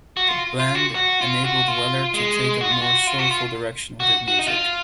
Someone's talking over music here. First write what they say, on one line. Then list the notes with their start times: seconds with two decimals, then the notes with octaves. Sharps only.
The band enabled Weller to take a more soulful direction with his music.
0.17 F#4
0.28 F4
0.60 F4
0.75 F#4
0.95 F#4
1.21 F4
1.44 F#4
1.68 F4
2.14 G#3
2.61 F#4
2.71 F4
2.82 F#4
3.07 F4
3.19 F#4
3.31 F4
4.00 F#4
4.28 F#4
4.39 D#4
4.47 F4